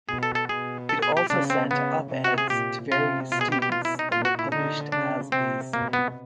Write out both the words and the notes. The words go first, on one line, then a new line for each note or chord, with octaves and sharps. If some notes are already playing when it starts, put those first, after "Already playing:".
It also sent op-eds to various students that were published as-is.
B2 G#4
A4
A4
B2 G#4
A4
G#4
G4
C#3 D4
C4
C#3 B3
C3
F#4
G#4
A#2 G4
C3 F4
B2 F4
G#4
G4
G4
F4
E4
D#4
A#2 F4
F#4
E4
D3 D#4
C#3 D4
C3 C4
B2 A#3
B3